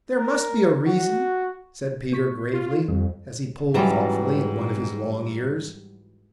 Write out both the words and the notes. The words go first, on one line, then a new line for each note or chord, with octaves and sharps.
"There must be a reason" said Peter gravely, as he pulled thoughtfully at one of his long ears.
A#4
F#4
B3 C#6 B6
F4
F2 G3
G#2 E3 F#3 G3 C#4 A5 A#5